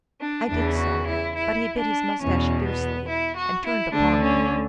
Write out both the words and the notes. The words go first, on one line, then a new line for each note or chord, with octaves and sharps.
I did so, but he bit his moustache fiercely, and turned upon me.
D4
E2 C#3 E3 D4
F#4
E4
E4
D4
E2 B2 C#4
B3
E4
F#4
E4
D2 D3 D4
C#4